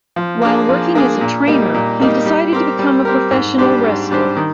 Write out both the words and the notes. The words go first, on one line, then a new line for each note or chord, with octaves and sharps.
While working as a trainer, he decided to become a professional wrestler.
F3
A#3 D4 G#4
F3
A#3 D4 G#4
A#2
G3 A#3 D#4
A#2
G3 A#3 D#4
G3
C4 G4 A#4
G3
C4 G4 A#4
G#2
G3 D4 G4 C5
G#2
G3 D4 G4 C5
D#3